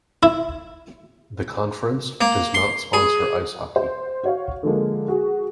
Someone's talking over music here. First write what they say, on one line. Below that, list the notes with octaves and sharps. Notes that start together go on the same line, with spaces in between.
The conference does not sponsor ice hockey.
E4
A#3
C6
G#4
C5
F#4 C#5 F5
D3 F3 G#3 A#3
F#4 G#4